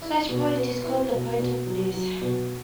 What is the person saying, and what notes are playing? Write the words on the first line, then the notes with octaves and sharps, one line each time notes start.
Such point is called "the point of bliss".
E4
B2
B3
E4
B2
B2
F#3
F#3
B2